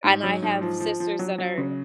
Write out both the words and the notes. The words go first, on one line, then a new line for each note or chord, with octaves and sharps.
and I have sisters that are
G#2
F#3
G#2
F3
F3
F3
F#3
F#3
C#3